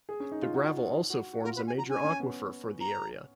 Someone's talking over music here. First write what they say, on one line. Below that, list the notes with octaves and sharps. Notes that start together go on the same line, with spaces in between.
The gravel also forms a major aquifer for the area.
G#4
C#4
D#4
F4
F#4
F#4
F#4
F#4
F4 A#4
B4
G#5
A#5
C#4 G#5
C#4
B3
A#5